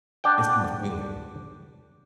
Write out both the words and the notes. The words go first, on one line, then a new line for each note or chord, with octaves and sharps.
It's more feeling.
D4 D5 F#5 G5